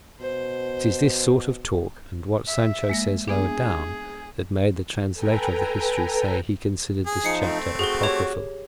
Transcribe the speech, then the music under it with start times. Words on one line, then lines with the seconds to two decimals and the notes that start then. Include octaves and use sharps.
It is this sort of talk, and what Sancho says lower down, that made the translator of the history say he considered this chapter apocryphal.
0.20 B2 C5
2.47 E5
2.89 G#3 A#3 A#6
3.28 B3 D4 G#4
5.14 A4 B4 G5 G#5 A#5
7.06 G#4
7.24 F3 D#4 C7 C#7
7.42 A3 C4
7.79 F#4 G#4 G7
8.03 G4 C#5 F7